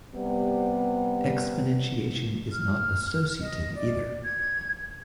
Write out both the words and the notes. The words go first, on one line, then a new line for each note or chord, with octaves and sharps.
Exponentiation is not associative either.
C3 G3 B3
F6
D#5
D5
G#6